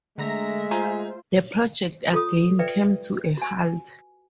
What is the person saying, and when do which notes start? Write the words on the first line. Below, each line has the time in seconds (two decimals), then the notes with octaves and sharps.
The project again came to a halt.
0.18 D3 G#3 A3 E5 A#5 A#6
0.71 F4 C5 G#5 A#5
2.13 F4 A4 C#5 D#6
2.59 B4 D5 E5 G5
3.37 F#4 G#5